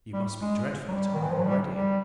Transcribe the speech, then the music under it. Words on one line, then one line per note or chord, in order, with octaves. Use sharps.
'You must be dreadfully tired already.'
G3
G#3
F#3
G3
D#3
E3
F3
F#3
G3
G3